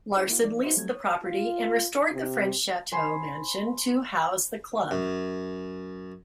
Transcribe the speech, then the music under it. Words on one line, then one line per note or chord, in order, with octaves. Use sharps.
Larsen leased the property and restored the French Chateau mansion to house the club.
C#4 E4 G4 G#4 C5 C#5
A#3 E4 F#4
F3 D#4 D5
D#4 F#4 B4 C5 D#5 E5
F#3 G3 A3 C4 G#6
C#5 D#6
F4
C3
C5 G#5 B5 C6
F#2